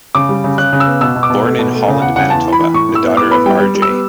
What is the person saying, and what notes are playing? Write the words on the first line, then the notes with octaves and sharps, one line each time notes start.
Born in Holland, Manitoba, the daughter of R. J.
C#3 D6
G3
C#3
C#3 F#6
C#3
E6
B3
B2 E6
B2
D6
B2
A3
B2
A3
C#3
E2 F#5
C#3 F#5
E2 A5
E3
B5
E3
A2 C#6
A2
E6
B3
A2 D6
B3 B5
G3 G5
G3
G3
E6
B3